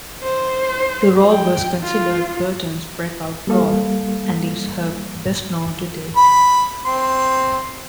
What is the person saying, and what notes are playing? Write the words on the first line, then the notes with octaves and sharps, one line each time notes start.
The role was considered Burton's breakout role and is her best-known to date.
C5
G5
F4
G3 A#3 A4 F5
B5
C4 C6